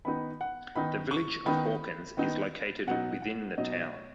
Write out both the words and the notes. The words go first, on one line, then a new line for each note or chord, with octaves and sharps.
The Village of Hawkins is located within the town.
D#3 B3 D#4 B5
F#5
D#3 B3 D#4 B5
C#6
D#3 B3 D#4 B5
D#3 B3 D#4
B2 F#3 D#4 F#5
F#5
B2 F#3 D#4 D#5
C#5